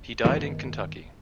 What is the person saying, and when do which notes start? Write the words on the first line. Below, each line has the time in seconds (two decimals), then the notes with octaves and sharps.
He died in Kentucky.
0.24 G2 D#3 A3 B3